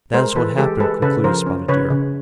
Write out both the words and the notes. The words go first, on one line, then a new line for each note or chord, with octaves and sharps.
"That is what happened," concluded Spotted Deer.
G#3 A#4 C5
E3 A4 B4
G#3 G4 A4
G#3 A4 B4
C#3 A4 B4
F3 A#4 C5
C#4
C#3 B4 C#5
C#3